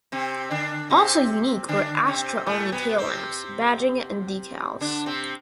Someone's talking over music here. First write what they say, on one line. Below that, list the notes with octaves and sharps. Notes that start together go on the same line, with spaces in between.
Also unique were Astra-only tail lamps, badging and decals.
C3 C4
D3 D4
C3 C4
D3 D4
C3 C4
A2 A3
B2 B3
C3 C4
D3 D4
C3 C4